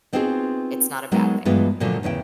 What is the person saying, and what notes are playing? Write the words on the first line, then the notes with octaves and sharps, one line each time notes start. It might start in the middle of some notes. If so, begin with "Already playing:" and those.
It's not a bad thing.
B3 C4 D#4 F4 F#4 G#4
F#3 G#3 B3 D#4 A#4
G2 E3 F#3 G#3 B3 F4
A#2 D3 F3 F#3 A3
E2 C#3 E4 G5